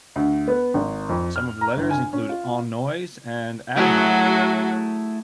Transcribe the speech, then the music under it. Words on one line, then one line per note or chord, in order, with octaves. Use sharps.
Some of the letters include "On Noise" and "Asthma".
D2
B3
G#1
F2
F6
A#5
G1
G#5
C#4
F4
F#3 A3 E4 F#4 G#4